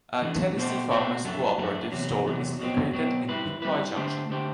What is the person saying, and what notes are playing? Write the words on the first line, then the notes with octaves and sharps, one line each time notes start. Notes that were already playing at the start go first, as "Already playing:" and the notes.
A Tennessee Farmers Cooperative store is located in Big Boy Junction.
E3 A3 D4
B2 A3 C4 F#4 C5
B2 A3 C4 F#4 C5
F#2 F#3 A3 D4
F#2 F#3 A3 D4
E2 C3 F#3
E2 C3 F#3
B2 F#3 C4
B2 F#3 C4
G3 C4 E4 B4
G3 C4 E4 B4
D3 A3 D4 G4 C5
D3 A3 D4 G4 C5